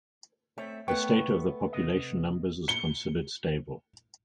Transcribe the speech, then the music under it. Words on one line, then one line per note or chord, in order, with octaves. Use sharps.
The state of the population numbers is considered stable.
A3 C4 C#5 E5
A3 B3 B4 C#5 G5
C3 D#5
C#7 G7